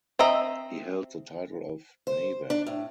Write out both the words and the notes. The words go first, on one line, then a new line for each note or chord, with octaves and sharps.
He held the title of Nawab.
C4 D#5 E5 A#5
C5
D4
A2